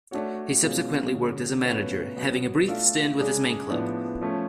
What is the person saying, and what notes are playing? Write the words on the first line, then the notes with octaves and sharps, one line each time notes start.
He subsequently worked as a manager, having a brief stint with his main club.
A3 D4 F#4 C#5
B2 G#3 C#4 F4
D3 G#3 C#4
B2 A3 C#4 F4 B4
B2 F#3 B3
A3 D4 F4 A4 F5
C#3 G#3 D4 G#4 D5
A2 F3 B3 D4
F3 A3 C#4